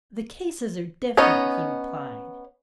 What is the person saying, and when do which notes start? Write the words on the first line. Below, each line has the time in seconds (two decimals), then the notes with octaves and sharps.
'The cases are different,' he replied.
1.17 B3 C#4 D#4 C#5 D#5